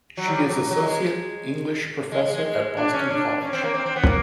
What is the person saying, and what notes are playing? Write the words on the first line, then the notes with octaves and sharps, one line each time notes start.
She is associate English professor at Boston College.
F#3
G3
F3
F#3
F#3
F#3
G#3
G#3
G#3
G#3
G#3
D4
C#4
D4
C#4
C4
A#3
C4
C4
B3
A#3